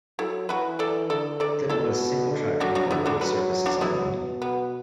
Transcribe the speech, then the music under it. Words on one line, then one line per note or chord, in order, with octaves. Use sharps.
Then it was single track and for goods services only.
F#3 E4 A4
E3 F#4 B4
A4 D5
D3 A4 D5
D3 A4 D5
B2 E4 A4
D3
F#3 D4 F#4
D4 F#4
D3 B3 E4
D4 F#4
F#3 F#4 B4
D4 F#4
F#3 B3 E4
B2
B3